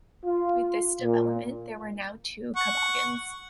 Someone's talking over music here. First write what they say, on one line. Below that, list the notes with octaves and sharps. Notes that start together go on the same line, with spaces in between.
With this development, there were now two Cabagans.
F4
A#2
F#5 C#6